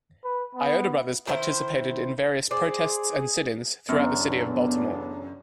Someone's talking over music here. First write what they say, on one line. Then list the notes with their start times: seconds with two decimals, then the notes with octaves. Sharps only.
Iota brothers participated in various protests and sit-ins throughout the city of Baltimore.
0.24 B4
0.55 B3
1.27 D#3 E4 C5
2.51 G#4 C5 D5
3.89 A1 F#2 C#3 B3 D4